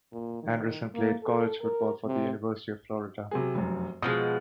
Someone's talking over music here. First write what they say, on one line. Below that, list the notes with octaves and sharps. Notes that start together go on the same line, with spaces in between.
Anderson played college football for the University of Florida.
A#2
D#3
A#3
A4
A#4
C3
C3 F#3 G#4
F1 F#2
B2 F3 G#3 D#6